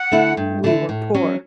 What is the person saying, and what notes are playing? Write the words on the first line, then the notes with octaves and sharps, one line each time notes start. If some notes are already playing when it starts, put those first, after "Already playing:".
We were poor.
Already playing: F#5
D3 A3 E4
G2
D3 A3 E4
A2
F#3 C#4